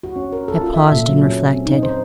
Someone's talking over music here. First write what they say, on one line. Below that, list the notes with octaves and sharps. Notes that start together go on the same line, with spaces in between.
I paused and reflected.
F#4
C#4
A#4
A4
F4
E5
A#2
F#3
C#4
C4
D#4
C5